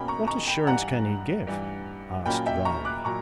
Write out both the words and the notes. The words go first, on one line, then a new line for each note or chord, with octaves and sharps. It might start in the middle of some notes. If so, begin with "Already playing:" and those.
"What assurance can he give?" asked Raleigh.
Already playing: B2 A#3 C#4 G5 B5
A#5 C#6
A#5 C#6
G5 B5
G2 E3 G3 F#5 A#5
G2 E3 G3
A#2 F#3 A#3 C#4 G5 B5
E5 G5
A#5 C#6
D6 F#6
A#2 F#3 A#5 C#6